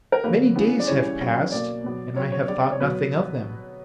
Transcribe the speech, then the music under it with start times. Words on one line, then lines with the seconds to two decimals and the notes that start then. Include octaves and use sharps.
'Many days have passed, and I have thought nothing of them.
0.12 A#4
0.24 D3 F#3 A#3 B4
0.56 C#3 E3 B3
0.80 D5
0.87 C#3 E3 G3 C#5
1.20 C#3 F#3 B3
1.52 B2 A#3 D5
1.84 B2 F#3 B3
2.16 C#3 F#3 B3 C#5
2.32 C#5
2.48 D3 G3 B3 D5
2.59 D5
2.72 C#5
2.80 B2 F#3 B3 B4